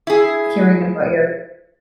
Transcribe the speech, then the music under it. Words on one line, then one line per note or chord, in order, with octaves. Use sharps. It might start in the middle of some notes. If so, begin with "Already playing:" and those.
hearing about your
E4 G#4